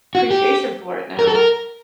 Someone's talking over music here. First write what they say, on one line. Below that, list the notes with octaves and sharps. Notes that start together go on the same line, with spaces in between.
appreciation for it now.
F#4
G4
A#4
A4
A#4